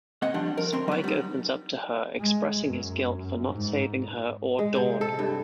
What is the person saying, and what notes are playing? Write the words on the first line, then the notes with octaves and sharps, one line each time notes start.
Spike opens up to her, expressing his guilt for not saving her or Dawn.
A#3 C4 D#5 F#5
F3 G3 D4
A#4
D2 C4 C6
F#3 B3
G3 D#4
G#3
F#2
G#2
G#3
C3
A4
G2